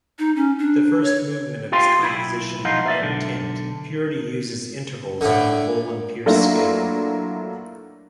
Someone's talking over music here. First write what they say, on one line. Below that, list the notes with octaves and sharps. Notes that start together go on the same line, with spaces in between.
The first movement of his composition "Clang-Tint", "Purity", uses intervals from the Bohlen-Pierce scale.
D#4
C#4
D4
C#5
F4 G4 F5 G5 C6
B1 E4 B5
B1 F3 D#4 F4 F#5
B4 D5 E5
B1 D3
A2 D3
F#3 A3 A#3 D4 E4 F4